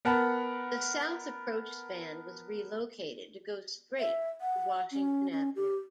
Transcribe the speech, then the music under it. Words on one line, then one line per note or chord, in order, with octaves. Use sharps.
The south approach span was relocated to go straight to Washington Avenue.
B3 A#4 F#5 A5 B5
E5
F#5
C#4
C#4
G4